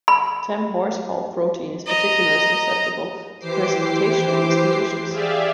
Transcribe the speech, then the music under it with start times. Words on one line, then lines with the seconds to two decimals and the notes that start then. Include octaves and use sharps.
Tamm-Horsfall protein is particularly susceptible to precipitation in these conditions.
0.08 B5
1.87 D#5 A#5
3.39 E3 G4 C5 D6 C7
5.10 G4 G#4 D5 E5 F5